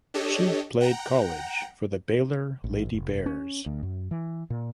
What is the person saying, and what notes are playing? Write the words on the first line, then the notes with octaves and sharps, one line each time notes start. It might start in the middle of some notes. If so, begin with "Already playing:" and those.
She played college for the Baylor Lady Bears.
D4 G4 A4 C#5 D#5
F#5 G5 A#5
A1
F1
C#4
D2
F#2
E3
A#2